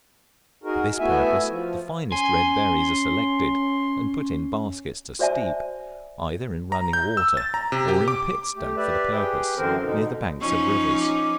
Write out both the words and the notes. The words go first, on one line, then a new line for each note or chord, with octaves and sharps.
For this purpose the finest red berries are selected, and put in baskets to steep, either in running water, or in pits dug for the purpose, near the banks of rivers.
D#4 F#4 G#4 A#4
A3 B3 E4 F#4 E5 G#5
F3
C#4 G#5 C6
F#4 C5 D5 E5 G#5 A5
A#5
G6
E6
A6
A#5
C3
G4
D6
A3 G4
G4 B4 D5 E5
G4 G#4 B4 G5
F#2 D3 E3 C4 A#4 C5
B2 D3 D#4
F3 C#4 D#4 C#6
D6